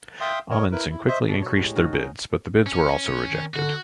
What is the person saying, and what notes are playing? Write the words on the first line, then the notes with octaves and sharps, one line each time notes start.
Ahmanson quickly increased their bids but the bids were also rejected.
E5 F5 G5 C6 D#6
A#4 C#5 D#5
E4 A#4 B4
E4
C5 D#5 E5
B2 D4 A4 C#5
C#5
A2 G#3 G4 G#4
D#3 F#3 F#4
C#4 D#4 C5 D#5
C#4
D#3
D3 F#4